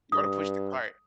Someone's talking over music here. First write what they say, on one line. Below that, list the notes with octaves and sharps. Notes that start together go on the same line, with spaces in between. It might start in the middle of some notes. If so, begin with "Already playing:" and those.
You oughta push the cart.
G2 D#6